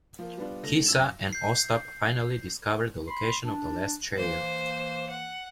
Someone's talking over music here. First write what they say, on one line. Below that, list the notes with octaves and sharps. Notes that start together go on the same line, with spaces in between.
Kisa and Ostap finally discover the location of the last chair.
F3 A#3
G3 B3 D4 F4
D3 A3 A#6
F#2 E6 E7
G6 C7
B5 C6
D4
E3 A#3 C5
F#5